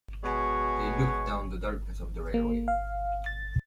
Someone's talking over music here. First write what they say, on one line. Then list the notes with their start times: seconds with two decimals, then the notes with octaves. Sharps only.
They looked down the darkness of the railway.
0.23 B2 G#3 F#4 C#5 G#5
2.34 A#3
2.68 F5
3.26 A6